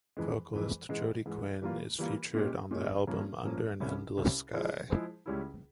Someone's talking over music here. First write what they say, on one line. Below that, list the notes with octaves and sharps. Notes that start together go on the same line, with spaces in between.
Vocalist Jody Quine is featured on the album "Under An Endless Sky".
F2 E3 G#3
F2 E3 G#3
G#2 E3 G#3
G#2 E3 G#3
E3 G3 A#3 F4
E3 G3 A#3 F4
A#2 G#3 C#4 G4
A#2 G#3 C#4 G4
G2 F3 A#3 C#4
G2 F3 A#3 C#4
C2 C3 G3 C#4
C2 C3 G3 C#4
F3 G#3 E4 G#4 C5
F3 G#3 E4 G#4 C5
C#2 C#3 G3 C#4 E4